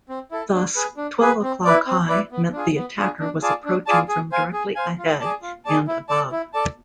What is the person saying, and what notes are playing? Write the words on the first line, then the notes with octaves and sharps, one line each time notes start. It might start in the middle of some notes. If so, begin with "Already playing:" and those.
Thus "twelve o'clock high" meant the attacker was approaching from directly ahead and above.
C4
E4 A4
D4
G#4 B4
D4
G#4 B4
C4
E4 B4 D5
C4
E4 B4 D5
B3
D4 F4 G#4
B3
D4 F4 G#4
D4
F4 G#4 D5 A5
D4
F4 G#4 D5 A5
G#4
C5 F5 G#5
G#4
C5 F5 G#5
F4
G#4 D5 A5
F4
G#4 D5 A5
E4
A4 D5 A5
E4
A4 D5 A5